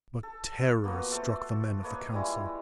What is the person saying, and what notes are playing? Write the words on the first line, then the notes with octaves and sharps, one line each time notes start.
But terror struck the men of the Council.
A4
A#3 B3 F4 F#4
A3 A4 C5
A#3 B4 C#5 D#5
G3 G#3 E4 F4